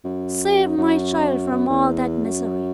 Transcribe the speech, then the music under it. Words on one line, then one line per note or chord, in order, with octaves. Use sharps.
Save my child from all that misery!
F#2
F#2
F#2
E2
F#2